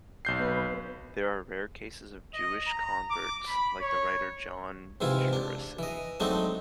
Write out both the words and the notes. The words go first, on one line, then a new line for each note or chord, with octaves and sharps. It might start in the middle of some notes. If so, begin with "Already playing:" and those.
There are rare cases of Jewish converts, like the writer Jon Juaristi.
B1 G6 C7
B3 B4
D#5
A#5
D6
B5
C#5
G#2 C3 E3 E4 F4
D4
E3 D#5
F#3 G#3 A3 C4 D4 D#4